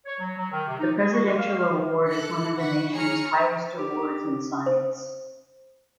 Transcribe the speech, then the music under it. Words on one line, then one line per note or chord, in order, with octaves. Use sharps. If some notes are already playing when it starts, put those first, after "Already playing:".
The Presidential Award is one of the nation's highest awards in science.
C#5
F#3
F#3
D#3
C3
D#4
G#4
F#4
G#3
F5
F5
D#3
A4 F#6 C#7
F#5 B5 C#6
G#4 C#5 A#5 F6 C#7
G4
C5